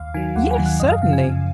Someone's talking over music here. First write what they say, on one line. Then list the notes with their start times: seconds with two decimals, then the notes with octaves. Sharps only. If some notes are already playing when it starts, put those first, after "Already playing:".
"Yes, certainly."
Already playing: D#2 F5
0.14 D#3 F#3 G#5
0.36 D#2 F#5
0.51 G#5
0.58 D#3 F#3
0.66 F#5
0.80 F#2 D#5
0.91 F5
1.02 C#3 F3 F5
1.13 G#5
1.23 F#2